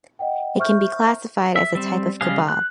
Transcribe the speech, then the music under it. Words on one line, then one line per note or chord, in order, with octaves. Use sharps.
It can be classified as a type of kebab.
D#5 F#5 G5
C5 E5 C#6 F6 G6
E5
G3 C4
C#3 G3 G#3 G#4 F5
F#6